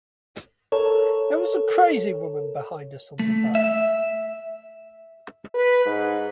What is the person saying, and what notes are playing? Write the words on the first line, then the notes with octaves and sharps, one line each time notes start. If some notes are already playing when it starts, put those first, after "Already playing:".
There was a crazy woman behind us on the bus.
A4 A#4 C#5
A3
E5
B4
G#2